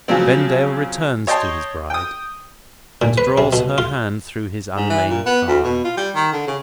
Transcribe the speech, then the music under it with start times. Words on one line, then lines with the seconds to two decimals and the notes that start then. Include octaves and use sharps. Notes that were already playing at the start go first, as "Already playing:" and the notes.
Vendale returns to his bride, and draws her hand through his unmainied arm.
0.08 C#3 F3 F#3 C4
1.27 C#5 D#5 G5 A5 C6
1.90 G5 D#6
3.02 A#2
3.18 B4
3.38 C3
3.53 B2
3.78 F4
4.77 G#2
4.90 E3
5.10 A#2
5.26 B3
5.48 D2
5.64 B2
5.84 F4
5.97 G3
6.15 D#3
6.33 D3
6.47 C#3